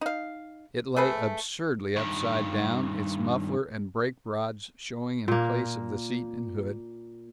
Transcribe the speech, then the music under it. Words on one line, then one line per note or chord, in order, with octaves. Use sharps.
It lay absurdly upside-down, its muffler and brake-rods showing in place of the seat and hood.
D#4 F5
A3 G#4 B4
G2 D#3
A#2 A#3